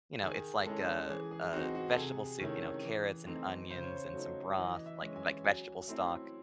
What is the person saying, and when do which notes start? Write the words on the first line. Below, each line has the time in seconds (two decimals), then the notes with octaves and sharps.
you know, it's, like, a a vegetable soup, you know, carrots and onions and some broth, like like vegetable stock,
0.22 D#3 G#4
0.66 G#3 C#4 E4 A4
1.09 E3 G#4
1.31 G#4
1.53 C4 D#4 F#4
1.75 F#4
1.90 A4
1.97 C3 G#4
2.40 D#3 A3 C#4 E4
2.83 E3
3.27 A3 C4 D#4
3.70 C#3 C5
3.83 C#5
3.96 C5
4.13 F#3 A3 D#4
4.58 E3 D#5
4.86 E5
5.01 G#3 C#4
5.16 G#5
5.44 F#3 G#5
5.88 A3 C4 E4